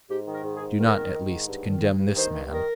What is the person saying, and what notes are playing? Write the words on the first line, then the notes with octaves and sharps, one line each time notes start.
Do not, at least, condemn this man!
G#2 G4
D#3
A#4
G#2
G#4
G#2
D#3 A#4
D#3
D#3
G#2
G2
D#3
G2
G2
D#3 C5
G2
D#3 A#4